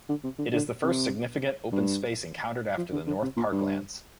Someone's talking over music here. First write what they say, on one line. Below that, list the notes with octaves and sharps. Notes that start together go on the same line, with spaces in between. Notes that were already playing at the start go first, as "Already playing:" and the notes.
It is the first significant open space encountered after the North Parklands.
D3
C3
D3
D3
C3
G2
F3
D3
D3
C3
A#2
G2